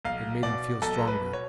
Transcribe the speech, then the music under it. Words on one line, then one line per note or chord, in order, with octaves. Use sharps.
It made him feel stronger.
B1 F5
B2 D5
B1 A4
B4
B2
C#5